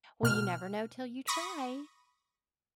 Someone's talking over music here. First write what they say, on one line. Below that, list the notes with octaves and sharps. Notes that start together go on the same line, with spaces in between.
"Well, you never know till you try."
B2 F6
B5 C#6 D#6 A#6